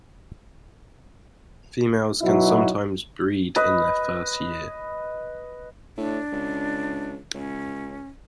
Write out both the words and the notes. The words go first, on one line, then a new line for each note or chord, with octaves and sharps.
Females can sometimes breed in their first year.
B2 F#3 D#4 E4
B4 D#5
A2 D4
C#2
C#2 C#4